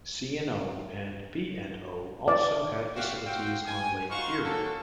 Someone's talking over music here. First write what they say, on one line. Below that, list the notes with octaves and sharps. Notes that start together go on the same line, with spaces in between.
C and O and B and O also had facilities on Lake Erie.
D5
F#4 G4 C5 D5 F5
C4 F#4 F5 G5
G#5
D#4 F4 F#4 C5 F5 C#6
A#3 C#4 F#4 A4